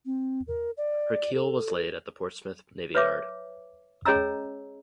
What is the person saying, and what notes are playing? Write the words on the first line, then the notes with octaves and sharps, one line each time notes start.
Her keel was laid at the Portsmouth Navy Yard.
C4
A#4
D5
A4
B4 C#5 E5 D6
C#4 G#4 C#5 D#5 A#5 E6